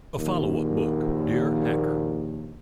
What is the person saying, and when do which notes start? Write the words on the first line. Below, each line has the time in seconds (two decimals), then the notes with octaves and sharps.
A follow-up book, Dear Hacker.
0.15 A#1 D#2